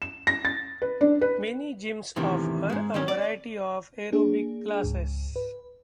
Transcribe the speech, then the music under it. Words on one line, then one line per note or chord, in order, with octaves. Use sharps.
Many gyms offer a variety of aerobic classes.
E7
A#6
A6
B4
D4
B4
E2 A2 C3 D#3 E3
G#2 G#3
D#3 C4 C#4
D5
A#3 D4 G#4
C#2 G#2
B4